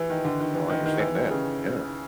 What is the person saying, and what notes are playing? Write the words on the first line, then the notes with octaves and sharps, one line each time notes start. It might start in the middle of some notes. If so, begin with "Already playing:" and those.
No, I understand that. Yeah.
Already playing: E3
D#3
D3
D#3
E3
D#3
D#3
E3
D#3
C#3